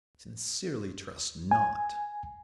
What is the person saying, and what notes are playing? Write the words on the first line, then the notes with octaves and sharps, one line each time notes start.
"I sincerely trust not."
G#5